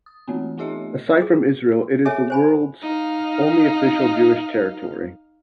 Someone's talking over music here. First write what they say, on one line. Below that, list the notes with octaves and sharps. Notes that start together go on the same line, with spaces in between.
Aside from Israel, it is the world's only official Jewish territory.
D#6
E3 A3 B3 C4
A3 B3 D#4 G4 D#5 E5
G#4
G#4 A4 C#5 E5 G#5
C5 G#5 B5
D#4 F5